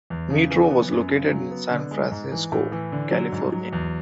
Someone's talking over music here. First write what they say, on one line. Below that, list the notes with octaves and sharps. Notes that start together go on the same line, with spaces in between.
Meetro was located in San Francisco, California.
E2
C#3
E3
B3
F#2
C#3
F#3
B3
D3
G#3
G#2
E3
A2
E3
D3
F#3
G#2
F#3
E2